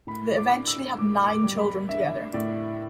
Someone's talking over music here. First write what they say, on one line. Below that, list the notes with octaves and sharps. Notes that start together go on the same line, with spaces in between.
They eventually had nine children together.
A2 B5
D6
D4
E6
A2 D6
D6
G3
B5
D4 E5
A2 D5